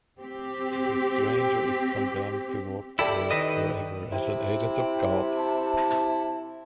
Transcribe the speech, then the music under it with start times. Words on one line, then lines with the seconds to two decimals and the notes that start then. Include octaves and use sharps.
The Stranger is condemned to walk the Earth forever as an agent of God.
0.20 C4 G4
2.99 E4 G4 A4 D5
3.31 D#3 B4 D#5
4.12 C3 E4 G5
5.37 A5